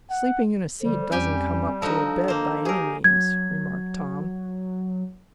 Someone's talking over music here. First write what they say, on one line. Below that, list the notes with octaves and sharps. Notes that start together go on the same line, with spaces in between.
"Sleeping in a seat doesn't come up to a bed, by any means," remarked Tom.
F#5
D3 F3 G3
F2 C#4 G4 G5 G#5
F3 D4 D#4 F#4 A4
A#3 C5
G4 G#4 A#4
F#3 G#6